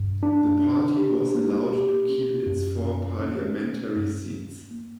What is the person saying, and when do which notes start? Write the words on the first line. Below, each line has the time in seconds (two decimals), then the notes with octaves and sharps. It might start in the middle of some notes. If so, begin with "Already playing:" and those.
The party was allowed to keep its four parliamentary seats.
Already playing: G2
0.23 D4
0.60 D4
0.97 G4
1.35 A#3
1.72 G4
2.09 C#4
2.46 F#2
2.84 C#4
3.22 C#4
3.59 C#4
3.96 G2
4.34 G2
4.71 A#3